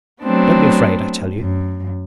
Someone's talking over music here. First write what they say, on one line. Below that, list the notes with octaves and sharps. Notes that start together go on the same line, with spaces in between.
Don't be afraid, I tell you.'
F#3 A3 B3 C4 D4
F#2